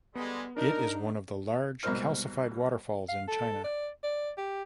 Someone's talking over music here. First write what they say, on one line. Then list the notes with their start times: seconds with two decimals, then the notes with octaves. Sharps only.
It is one of the large calcified waterfalls in China.
0.15 D3 G3 G#3 B3
0.57 D4 D#4 A#4
1.83 C2 G#2 B2 A#4 C5 F6
3.09 F5
3.28 A4
3.64 D5
4.03 D5
4.37 G4